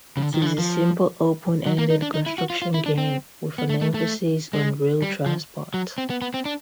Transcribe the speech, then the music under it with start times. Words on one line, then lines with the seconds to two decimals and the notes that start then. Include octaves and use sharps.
It is a simple open-ended construction game with an emphasis on Rail Transport.
0.17 C#3
0.22 D3
0.34 D#3
0.42 F3
0.46 E3
0.58 F3
1.66 F#3
1.78 A#3
1.90 D#4
2.02 D4
2.14 D#4
2.26 E4
2.38 F#4
2.50 F4
2.62 F4
2.74 E4
2.86 D4
2.98 C4
3.58 B3
3.69 A3
3.81 A3
3.94 A3
4.53 G#3
5.02 G3
5.26 F3
5.74 F#3
5.98 C4
6.10 B3
6.22 B3
6.34 C4
6.45 D4